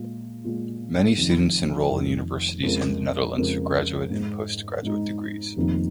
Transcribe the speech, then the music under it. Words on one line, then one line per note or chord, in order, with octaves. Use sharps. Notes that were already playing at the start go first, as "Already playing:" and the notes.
Many students enroll in universities in the Netherlands for graduate and postgraduate degrees.
Already playing: A#2 G#3 F4
A#2 G#3 F4
F1 F2 D#3
F1 F2 D#3
F2 C#3 G#3 F4 A#4
F2 C#3 G#3 F4 A#4
G#2 G#3 D#4
G#2 G#3 D#4
F1 F2 D#3 A#3 D#4